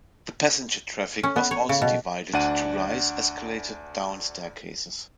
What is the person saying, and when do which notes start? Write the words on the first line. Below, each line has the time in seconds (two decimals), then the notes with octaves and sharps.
The passenger traffic was also divided, to rise - escalator, down - staircases.
1.23 C#4
1.36 B3
1.51 C#5
1.69 C#3
1.82 B2
2.33 D2 D4 D5 F#5 D#7